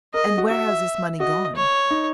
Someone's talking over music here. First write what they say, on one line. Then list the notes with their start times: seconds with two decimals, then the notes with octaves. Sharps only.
"And where has this money gone?"
0.14 A#4 D#5
0.26 G#4
0.38 F#4
0.49 F#4 E5
1.20 F#4 D#5
1.56 C#5
1.90 D#4